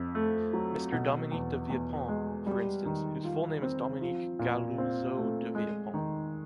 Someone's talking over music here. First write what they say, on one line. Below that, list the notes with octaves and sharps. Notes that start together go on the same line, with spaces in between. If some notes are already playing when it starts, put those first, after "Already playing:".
Mr Dominique de Villepin, for instance, whose full name is Dominique Galouzeau de Villepin.
Already playing: F2
A3
F#3
B2
E2
E2
G#3
G3
D#3
F4
C4
F3
A#2
C4
A3
G#3
D#3